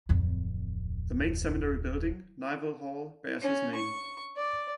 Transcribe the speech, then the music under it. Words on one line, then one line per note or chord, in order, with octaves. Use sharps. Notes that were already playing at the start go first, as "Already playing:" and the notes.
The main seminary building, Nyvall hall, bears his name.
D1 F2
C#4
C#6
D5